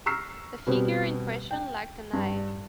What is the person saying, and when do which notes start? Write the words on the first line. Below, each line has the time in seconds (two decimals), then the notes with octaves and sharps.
The figure in question lacked an eye.
0.06 A#5 C#6 E6 F6 C7
0.67 B2 G3 B3 C4 G4
1.51 G5
2.13 G2